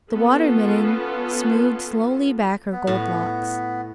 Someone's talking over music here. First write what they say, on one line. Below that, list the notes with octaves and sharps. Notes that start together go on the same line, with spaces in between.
The Water-midden smoothed slowly back her gold locks.
B3 C#4 F4 A4
B3
A2